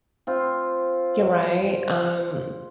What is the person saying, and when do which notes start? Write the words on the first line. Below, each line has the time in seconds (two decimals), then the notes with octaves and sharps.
You're right, um,
0.27 C4 F4